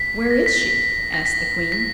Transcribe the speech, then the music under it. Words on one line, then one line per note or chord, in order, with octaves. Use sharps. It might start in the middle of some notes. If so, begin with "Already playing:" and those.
"Where is she?" asked the queen.
Already playing: B6
A#6
B6
B6
A#6
B6
B6